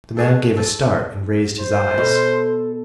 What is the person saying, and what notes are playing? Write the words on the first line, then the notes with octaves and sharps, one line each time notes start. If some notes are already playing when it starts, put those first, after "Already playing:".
The man gave a start and raised his eyes.
F#4 G#4 A4
A4
C5
B2 A4